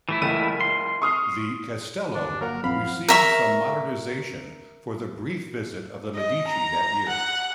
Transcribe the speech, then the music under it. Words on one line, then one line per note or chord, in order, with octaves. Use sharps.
The "castello" received some modernization for the brief visit of the Medici that year.
E3 A3 E4
F#1 C#2 D#7
C6
C#6 D#6 F6
G1 D4
F#3 A#3 A#4 F#5
A#1 F#2 F3 C4 F5 F#5 B5
A#4 E5 C#6
D#5
A#5
F#5